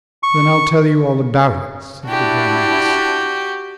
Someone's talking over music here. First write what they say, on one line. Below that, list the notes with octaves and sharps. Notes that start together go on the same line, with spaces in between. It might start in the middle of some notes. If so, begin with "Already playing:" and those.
"Then I will tell you all about it," said the Dormouse.
C#6
D4 E4 F#4 G4